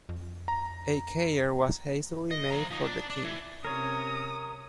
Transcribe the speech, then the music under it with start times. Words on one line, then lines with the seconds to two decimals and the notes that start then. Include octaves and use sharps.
A cairn was hastily made for the king.
0.09 F2
0.48 A#5
2.31 D#5
2.50 F3 A#5
2.70 F3 D#4
2.84 D4
3.10 D4
3.24 E3
3.65 C3 C#4 A#4 C#5 D#6